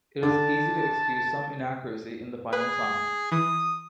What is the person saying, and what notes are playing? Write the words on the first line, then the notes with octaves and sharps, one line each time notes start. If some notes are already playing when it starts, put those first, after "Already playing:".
It was easy to excuse some inaccuracy in the final sound.
D3 A5
G#4 B4
E3 D#6